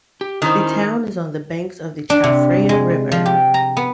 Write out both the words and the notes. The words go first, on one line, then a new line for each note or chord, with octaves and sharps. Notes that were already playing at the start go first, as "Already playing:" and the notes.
The town is on the banks of the Chao Phraya River.
G4
D#3 C#4 E4 C5
D4
C3
G#3
F3
G4
A#5
B3